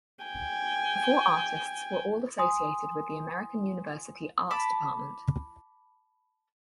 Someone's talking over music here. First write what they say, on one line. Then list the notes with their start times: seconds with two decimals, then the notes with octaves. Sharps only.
The four artists were all associated with the American University art department.
0.24 G5 G#5
2.38 G#5 C6 D#6
4.51 A5 B5 D6